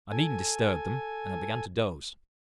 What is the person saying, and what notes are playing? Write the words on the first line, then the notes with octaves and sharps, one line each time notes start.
I needn't disturb them; and I began to doze.
A4 G#5